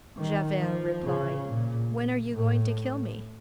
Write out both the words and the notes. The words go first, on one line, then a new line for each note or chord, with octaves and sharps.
Javert replied: "When are you going to kill me?"
D#3
F3
C#3
A#2
A2